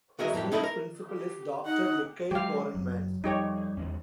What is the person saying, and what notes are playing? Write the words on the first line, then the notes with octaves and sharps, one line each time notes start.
The school's principal is Doctor Mikhail Korenman.
C2 F#4 G#4 A#4 D#5 E5
F2 A2 E3 G4
C#4 D#4 E4 A4 D5 D#5
A#4
G4
D#4 F#5
E3 F#3 G#3 G4 F5
F#1 F#3
F2 G3 D#4 G4 C#5
E2 E3 G#3 C#4